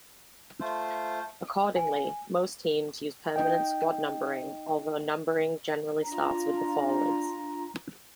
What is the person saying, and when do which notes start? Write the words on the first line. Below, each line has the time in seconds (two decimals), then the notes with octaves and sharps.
Accordingly, most teams use permanent squad numbering, although numbering generally starts with the forwards.
0.61 A3 F4 C5
1.76 G#5
3.36 D#4 D#5 G5
6.05 D4 F4 A#5